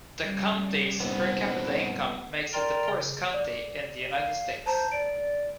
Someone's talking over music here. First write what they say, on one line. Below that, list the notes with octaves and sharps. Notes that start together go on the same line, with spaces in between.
The county's per-capita income makes it the poorest county in the United States.
C#3 G3
C2 F#2 A#2 B3 C4 D#4
A#4 D5 G5 A#5 C6
C#3
D5
F5
C5 A5 A#5
D5 D7